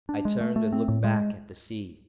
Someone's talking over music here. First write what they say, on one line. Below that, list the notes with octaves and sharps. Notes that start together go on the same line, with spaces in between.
I turned and looked back at the sea.
D4
G#3
A3
A3
C4
A2
G#3